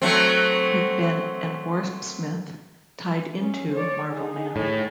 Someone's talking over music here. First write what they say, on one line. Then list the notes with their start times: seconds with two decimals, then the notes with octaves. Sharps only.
"Big Ben" and "Warpsmith" tied into "Marvelman".
0.02 F#3 A3 C4
3.40 C#4
3.72 C#5 D5
4.12 D#4 G#4
4.56 A2